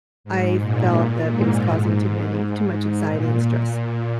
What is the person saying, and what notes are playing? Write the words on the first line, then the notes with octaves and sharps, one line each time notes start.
I felt that it was causing too many too much anxiety and stress.
G#2
A#2
G#2
G#2
A#2